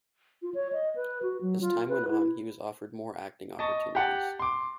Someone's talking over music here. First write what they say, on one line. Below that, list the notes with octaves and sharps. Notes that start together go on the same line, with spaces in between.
As time went on, he was offered more acting opportunities.
F4
C#5
D#5
B4
F#4
F#3
F4
B4
E4
D#5 A5 C#6
G4 F#5 A5
C6 D6